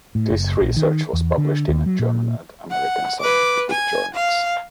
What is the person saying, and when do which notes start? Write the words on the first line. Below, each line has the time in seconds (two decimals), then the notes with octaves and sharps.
This research was published in German and American scientific journals.
0.15 A2
0.30 F#1
0.61 A#1
0.77 D#3
1.13 E2
1.38 D3
1.68 D#2
1.86 F#3
1.99 A#2
2.70 F#5
3.20 B4 D6
3.70 G#5
4.14 F5